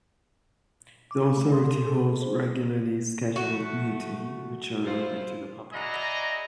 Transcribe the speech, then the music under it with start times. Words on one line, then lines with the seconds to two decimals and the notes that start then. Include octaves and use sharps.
The Authority holds regularly scheduled meeting which are open to the public.
1.11 D6
1.37 A3
1.53 C6
1.68 A4
1.86 G#4
2.22 C5
3.36 F3 A3 F#4
4.84 E4 F4 C5
5.72 E4 F#4 G#4 D5 D#5 A#5